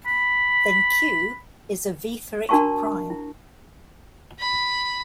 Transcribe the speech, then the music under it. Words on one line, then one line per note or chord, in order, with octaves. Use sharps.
Then "q" is a Wieferich prime.
B5
D4 F#4 A#4 A5 A#5 C#6
E4
B5